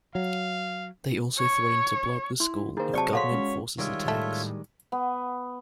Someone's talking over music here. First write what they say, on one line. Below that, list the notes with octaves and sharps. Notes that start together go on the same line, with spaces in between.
They also threatened to blow up the school if government forces attacked.
F#3 F5
C#5
E4 C6
D#3 A#3 E4 G#4 C5
C3 F#3 D5 A5 C#6
F#4 A4 C#5 F5 C6 B6
G#3 C#4
D#3 G3 G#3 F4 C#5 E5
A2 A3
B3